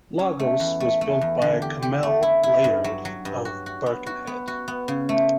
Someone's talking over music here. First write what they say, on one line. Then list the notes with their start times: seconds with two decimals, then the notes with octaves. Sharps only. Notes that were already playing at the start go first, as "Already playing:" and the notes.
"Lagos" was built by Cammell Laird of Birkenhead.
0.19 C#4
0.40 A3
0.60 E2
0.80 A3
1.01 A3
1.21 E2
1.42 D3
1.62 G4
1.82 G4
2.03 A3
2.23 E4
2.43 E4
2.64 G2
2.84 F#3
3.05 F#3
3.25 G2
3.45 F#4
3.66 F#4
3.86 B3
4.06 F#4
4.27 B3
4.48 F#4
4.68 B3
4.88 C#3
5.09 A3